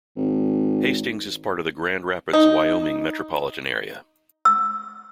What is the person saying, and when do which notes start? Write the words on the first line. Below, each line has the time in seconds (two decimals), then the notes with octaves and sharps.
Hastings is part of the Grand Rapids-Wyoming metropolitan area.
0.16 G#1
2.33 D#4
4.45 E6